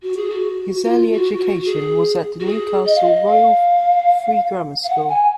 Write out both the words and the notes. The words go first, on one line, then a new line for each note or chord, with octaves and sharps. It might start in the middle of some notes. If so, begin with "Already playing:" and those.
His early education was at the Newcastle Royal Free Grammar School.
F#4
G#4
F#4
F#4
F4
F#4
F#4
G#4
F#4
G#4
D#5
F5
D#5
F5
F5
F#5
G#5